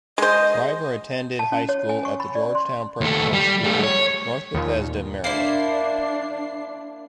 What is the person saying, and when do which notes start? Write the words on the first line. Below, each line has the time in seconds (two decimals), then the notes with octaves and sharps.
Shriver attended high school at the Georgetown Preparatory School, North Bethesda, Maryland.
0.18 G#3 C5 D#5
1.39 A5
1.52 C#4
1.69 C#5
1.89 G#5
2.05 C#6
2.20 B5
2.35 D5
2.55 C6
3.01 D#2 A3
3.33 G3
3.64 G3 A3
3.84 C#5
4.54 D#2 A#2
5.24 A#3 D4 E4 C5 C7